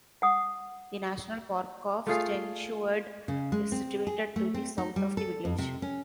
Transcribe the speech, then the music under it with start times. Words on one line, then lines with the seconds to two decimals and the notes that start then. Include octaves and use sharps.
The national park of Stenshuvud is situated to the south of the village.
0.22 F#5 D#6
2.07 A3 F4 G#4 F5
3.28 C#3
3.52 G#3
3.72 C4
4.07 G#4
4.36 A3
4.54 C4
4.78 D#4
4.96 G3
5.17 A4
5.45 F2
5.58 C3
5.82 C#4